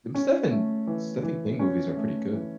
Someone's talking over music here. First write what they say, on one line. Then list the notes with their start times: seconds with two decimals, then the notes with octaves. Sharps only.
M Stephen Stephen King movies are pretty good.
0.15 C#4
0.51 A3
0.87 E3
1.23 E3
1.59 C#4
1.97 A3
2.33 E3